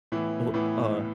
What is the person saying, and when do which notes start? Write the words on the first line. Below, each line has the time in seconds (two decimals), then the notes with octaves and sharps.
wh or
0.12 A2 E3 B3 E4
0.54 A2 E3 B3 E4